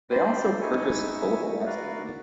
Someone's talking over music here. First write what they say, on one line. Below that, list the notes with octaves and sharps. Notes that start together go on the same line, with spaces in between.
They also purchased the Bulova Watch Company.
C5 D5 G5 B5 C6
D#4 E4 E5 G#5 C#6
F#4 A#4 B4 D5 F5